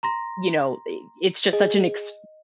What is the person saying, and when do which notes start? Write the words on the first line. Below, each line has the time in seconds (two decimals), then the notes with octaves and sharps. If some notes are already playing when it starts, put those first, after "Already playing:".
You know, i it's just such an ex
0.03 A#5 C6 A#6
1.53 G#4 D#5